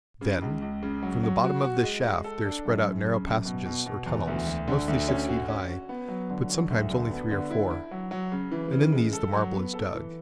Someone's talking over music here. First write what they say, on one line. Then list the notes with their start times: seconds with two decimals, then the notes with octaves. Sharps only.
Then from the bottom of this shaft there spread out narrow passages or tunnels, mostly six feet high, but sometimes only three or four, and in these the marble is dug.
0.21 C#3
0.42 C#2
0.62 C#2
0.83 C#3
1.02 F#3
1.23 F#3
1.44 F#4
1.64 F#4
1.83 G#3
2.04 G#3
2.24 A4
2.45 D4
2.65 F#2
2.85 F#2
3.05 C#3
3.25 F#2
3.45 B2
3.66 B2
3.86 B2
4.06 E2
4.27 D2
4.46 D2
4.68 D3
4.88 D2
5.08 C#4
5.28 F#4
5.48 C#4
5.69 F#4
5.89 B3
6.08 F#3
6.30 D3
6.49 F#3
6.70 D2
6.90 D3
7.11 B3
7.31 D3
7.51 E4
7.70 E4
7.91 F#3
8.11 F#3
8.32 C#3
8.51 E3
8.72 C#3
8.93 G#3
9.13 A4
9.33 F#3
9.54 B3
9.74 A4
9.94 E3